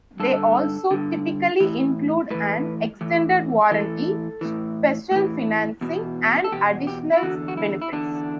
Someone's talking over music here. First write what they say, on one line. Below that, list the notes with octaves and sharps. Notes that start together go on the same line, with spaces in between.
They also typically include an extended warranty, special financing, and additional benefits.
G2 D3 A4
G2 D3
A2 E3
A2 E3 B4
A2 E3
A2 E3 A4
A2 E3
A2 E3
E2 B2
A4
E2 B2 G4
G4
E4
E2 D3 F#4
F#4
E4
E4
E2 D3 D4